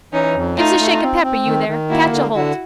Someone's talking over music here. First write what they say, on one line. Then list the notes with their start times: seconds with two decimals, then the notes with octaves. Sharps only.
Give's a shake of peppe, you there. Catch aholt.
0.13 E3 C#4 D#4
0.35 F2
0.57 A3 D#4 F4
0.79 A3
1.02 C4
1.23 C4
1.46 D#3
1.68 D#3
1.90 A#3 E4 F#4
2.12 D3
2.35 D3 E4 F#4